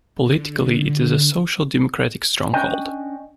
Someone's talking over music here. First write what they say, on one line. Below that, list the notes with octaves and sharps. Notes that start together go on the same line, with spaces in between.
Politically it is a Social Democratic stronghold.
D3
C#4 D4 D#5 G5